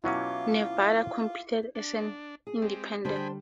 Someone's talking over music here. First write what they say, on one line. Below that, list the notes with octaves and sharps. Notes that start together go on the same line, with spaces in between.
Nevada competed as an independent.
B2 F#3 C#4 E4 F4 F#5 D6
D4
G#4
G#3 C4 G4
D3 G3 D4 G#4 C5 G5 B5